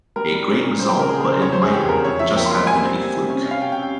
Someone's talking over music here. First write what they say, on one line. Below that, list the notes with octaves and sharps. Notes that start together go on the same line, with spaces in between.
A great result, but it might just have been a fluke.
G3 A#4
G3
C#4
A#2
G3 C5
G5
C#3
A#4
G3 G#4
A#4
C#3
C5
E2 C#5
F1 C5
G#4
E3 G4
E2 A#4
F2 C#5
F3 E5
A#3 G5
C6
A#3
C6
G3 G#5
C4
C3
C3
C#4
C#4
F5
C3 G5
G5
C3
G5